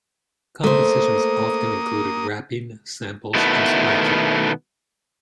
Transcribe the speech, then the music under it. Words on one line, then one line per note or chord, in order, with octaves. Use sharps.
Compositions often included rapping, samples and scratching.
A3 A#3 C5 D#6
B2 D#3 A3 B3 E4